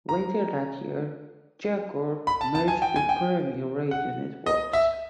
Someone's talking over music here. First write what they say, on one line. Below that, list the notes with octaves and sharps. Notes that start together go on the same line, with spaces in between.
Later that year, Jacor merged with Premiere Radio Networks.
A#5
B5
A5
A5
G#5
G5
G#5
G5
F#5
D#5
E5